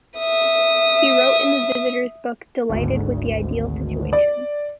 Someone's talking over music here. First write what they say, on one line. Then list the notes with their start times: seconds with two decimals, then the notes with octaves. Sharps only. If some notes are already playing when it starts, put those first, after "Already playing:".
He wrote in the visitors book delighted with the ideal situation.
0.18 E5 D#6
2.69 G#1 D2
4.13 D5